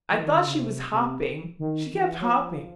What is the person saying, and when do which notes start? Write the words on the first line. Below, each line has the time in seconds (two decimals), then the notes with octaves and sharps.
I thought she was hopping; she kept hopping....
0.11 E3
0.23 D#3
0.34 D3
0.47 C#3
0.58 C3
0.92 C3
1.59 D#3
1.93 E3
2.20 F#3
2.27 F3